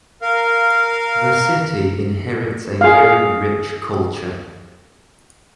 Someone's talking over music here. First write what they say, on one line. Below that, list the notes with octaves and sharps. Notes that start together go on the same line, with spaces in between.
The city inherits a very rich culture.
A#4 F5
G#4 F5